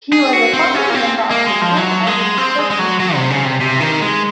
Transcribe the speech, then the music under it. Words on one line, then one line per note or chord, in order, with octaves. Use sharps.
He was a founding member of the Trans-Arab Research Institute in Boston.
G#4
F#4
C4
C#4
A#3
C4
A#3
G#3
F3
F#3
G#3
C4
G#3
G#3
F#3
F#3
C3
C#3
C3
C3
D#3
G#3